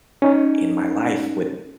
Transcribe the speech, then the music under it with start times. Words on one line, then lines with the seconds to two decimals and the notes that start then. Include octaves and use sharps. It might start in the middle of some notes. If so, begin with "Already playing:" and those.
in my life, what
0.22 C#4 D#4